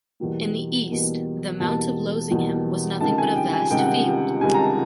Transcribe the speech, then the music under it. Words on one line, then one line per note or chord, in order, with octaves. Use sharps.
In the East, the Mount of Lozinghem was nothing but a vast field.
E2 B2 G3 A#3
E2 B2 G3 A#3
E2 B2 G3 A#3 A5
E2 B2 G3 A#3
C#2 C3 D#3 G3 A5
G#5
G5
G#5
C#2 C3 D#3 G3 G5
F#5
G5
C#2 C3 D#3 G3 G#5
A#5
A5